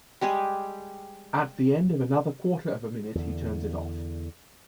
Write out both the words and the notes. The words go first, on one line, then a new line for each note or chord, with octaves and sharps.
At the end of another quarter of a minute, he turns it off.
G3 G#3 G4 G#4
E2 D3